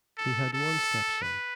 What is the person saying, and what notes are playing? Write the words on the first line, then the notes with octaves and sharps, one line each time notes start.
He had one stepson.
A4
A4
B4